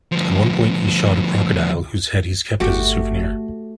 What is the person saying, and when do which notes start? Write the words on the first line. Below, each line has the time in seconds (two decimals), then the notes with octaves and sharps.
At one point, he shot a crocodile, whose head he kept as a souvenir.
0.12 D2 F3
2.60 G1 A3 F#4 G4